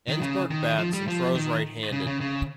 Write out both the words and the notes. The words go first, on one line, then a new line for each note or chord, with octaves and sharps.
Ensberg bats and throws right-handed.
D#3
C#3
D#3
F3
G3
F3
D#3
C#3
C#3
C#3